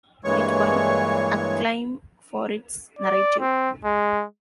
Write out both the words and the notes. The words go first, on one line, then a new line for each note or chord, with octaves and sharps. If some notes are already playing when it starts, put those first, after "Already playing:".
It won acclaim for its narrative.
G2 A#2 E3 G#3 C#5 C#6
D5
C4
G#3